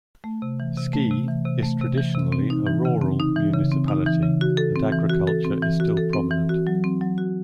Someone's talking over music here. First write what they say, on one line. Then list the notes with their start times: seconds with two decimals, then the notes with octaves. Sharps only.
Ski is traditionally a rural municipality, and agriculture is still prominent.
0.24 A3
0.42 C3
0.60 E3
0.77 C3
0.94 A3
1.10 C3
1.28 E3
1.45 C3
1.62 A3
1.81 C3
1.97 E3
2.15 C3
2.32 C4
2.50 D#4
2.67 E3
2.85 C#3
3.01 C4
3.20 D#4
3.36 E3
3.53 C#3
3.72 C4
3.88 D#4
4.06 E3
4.23 C#3
4.41 F#4
4.57 A4
4.76 C4
4.92 E3
5.10 F#4
5.27 A4
5.45 C4
5.63 E3
5.80 F#4
5.97 A4
6.13 C4
6.31 E3
6.49 F#4
6.67 F#3
6.84 C4
7.01 F#3
7.18 F#4